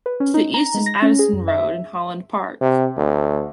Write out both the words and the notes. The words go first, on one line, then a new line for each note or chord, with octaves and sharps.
To the east is Addison Road and Holland Park.
B4
C#4
D#4
A#5
G#3
A#6
C#4
G#4
F#2
E5
C3
D2